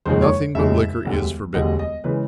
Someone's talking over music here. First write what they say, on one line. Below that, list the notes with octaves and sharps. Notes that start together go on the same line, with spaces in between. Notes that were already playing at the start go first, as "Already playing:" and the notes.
Nothing but liquor is forbidden.
F1 D#2 C#3 F3 G#3 C5
C#5
F1 D#2 C#3 F3 G#3 E5
E1 D2 D3 G3
E1 D2 D3 G3 D#5
D#5
C#3 E3 G#3 B4